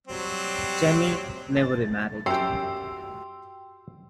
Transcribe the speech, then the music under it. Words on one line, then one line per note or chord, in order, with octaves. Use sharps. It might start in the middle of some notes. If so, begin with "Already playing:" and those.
Jemy never remarried.
F#3 G3 C4
A6
F#2 F#4 G4 G5 C6 E6 C7